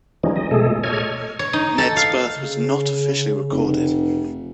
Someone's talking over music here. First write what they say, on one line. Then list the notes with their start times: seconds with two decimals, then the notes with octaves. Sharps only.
Ned's birth was not officially recorded.
0.23 E3 F3 G3 G#3 C#4 D#4
0.36 D#5
0.51 B2 G#3 A3 G#4 A4
0.67 A#2
0.83 A4 C#5 D#5 F6 G#6
1.39 C#5
1.53 D#4
1.78 A4
1.96 F5
2.36 C#3
3.51 F1